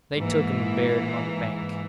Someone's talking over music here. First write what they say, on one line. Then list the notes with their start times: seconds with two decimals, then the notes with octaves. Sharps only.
They took him and buried him on the bank.
0.16 G#2 E3 A#3